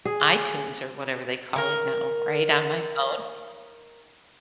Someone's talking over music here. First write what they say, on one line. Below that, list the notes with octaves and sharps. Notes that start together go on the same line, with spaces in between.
iTunes or whatever they call it now, right on my phone."
G#4
D#4 E4 A#4